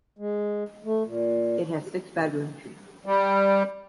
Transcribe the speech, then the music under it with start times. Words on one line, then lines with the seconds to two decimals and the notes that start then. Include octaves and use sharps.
It has six bedrooms.
0.19 G#3
0.84 A3
1.06 A#2
3.06 G3